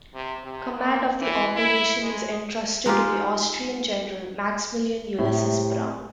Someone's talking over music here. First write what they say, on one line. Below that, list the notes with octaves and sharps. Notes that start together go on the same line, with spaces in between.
Command of the operation was entrusted to the Austrian general Maximilian Ulysses Browne.
C3
C3
A#3
E3
E4
G#3
G#3 D#4 F4 G4
A2 C3